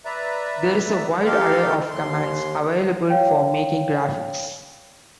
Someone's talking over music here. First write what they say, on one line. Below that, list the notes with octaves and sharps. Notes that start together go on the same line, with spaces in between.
There is a wide array of commands available for making graphics.
B4 D5 E5 A#5
D#4 G4 A4 A#4 F5 C6
D#2 C6
C#5 F5 G5